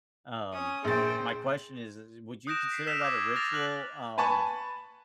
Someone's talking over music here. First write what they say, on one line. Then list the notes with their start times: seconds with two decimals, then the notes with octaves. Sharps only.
Um, my question is is would you consider that a ritual? Um
0.52 C#4 D#6
0.84 A#1 G#4 C5 G5 A6
2.47 D#6 F#6 G6 A#6 D7 E7
2.71 B6 C7 D7
2.87 E6 F6 B6 E7 F7
3.01 D6 F#6 G#6 E7
3.35 F6 A6 A#6 D7 F7
3.52 F6 F#6 F#7
4.18 B4 G#5 A5 B5 C#6